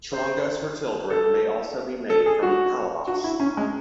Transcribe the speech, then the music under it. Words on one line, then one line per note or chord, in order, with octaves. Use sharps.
Charangos for children may also be made from calabash.
C5
A4
A4
G#4
F#4
F#4
E4
C#4
G#3